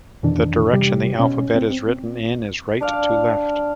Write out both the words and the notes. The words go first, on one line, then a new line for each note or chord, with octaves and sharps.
The direction the alphabet is written in is right to left.
F2 B2 D#3 E3 D4
C3 G3 G4
B2 C#4
C4
D4 D5 F5